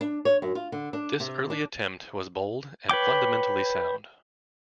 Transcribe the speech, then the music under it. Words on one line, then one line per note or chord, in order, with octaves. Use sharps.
This early attempt was bold and fundamentally sound.
D4
C#5
F#2
F4
D3
D4
C3
D4
B4 C#5 G5 D6